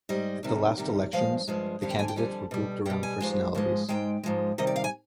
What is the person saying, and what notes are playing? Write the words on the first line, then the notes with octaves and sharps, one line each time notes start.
At the last elections the candidates were grouped around personalities.
G#2 G3 D#5
C3 D#3 G3
C3 D#3 G3
G2 F3 G#3 F5
G2 F3 G#3
F2 D3 G3 F5
G5
G#5
G5
F2 D3 G3 G#5
B2 G3
B2 G3 G5
G#5
G#2 F3 G#3
G#2 F3 G#3
G#2 F3 G#3 G5
G#2 F3 G#3
C3 D#3 G3 D#5
D5
F5
G#5